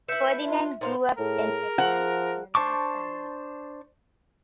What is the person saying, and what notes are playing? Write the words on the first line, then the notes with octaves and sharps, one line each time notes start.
Ferdinand grew up in Peckham in a large family.
E4 B4 E5 G6 C#7 E7
D4 F4 E5
A#2 D#4 C5 F5
A2 G#4 A#4
F3 F#5
D4 C5 A5 C#6 D6